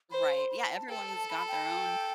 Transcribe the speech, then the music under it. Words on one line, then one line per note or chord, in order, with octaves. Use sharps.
Right, yeah, everyone's got their own
C5 B5
C6
B5
A5
A4 G5
A5
B5
G5